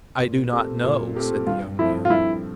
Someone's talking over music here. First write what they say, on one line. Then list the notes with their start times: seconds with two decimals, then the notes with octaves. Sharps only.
"I do not know," said the young man.
0.20 A#2
0.53 A3 C4 G4 A#4
0.84 A#2
1.15 A3 C4 G4 A#4
1.47 G2 F4
1.79 F3 A3 C4 E4
2.05 F4
2.10 G2 E4